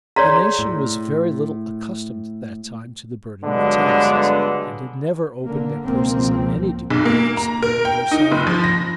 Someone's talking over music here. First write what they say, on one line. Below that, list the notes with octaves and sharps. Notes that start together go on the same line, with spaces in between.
The nation was very little accustomed at that time to the burden of taxes, and had never opened their purses in any degree for supporting their sovereign.
G#4 C#5 D5 A#5 C6 B6
A2
G2 D3 F#3 G#3 B3
D3 A#3
C#2 B2 F3 A#3 C4
B1
A#3
A#5
A#4
G5
D#4
F#1
F3
A#6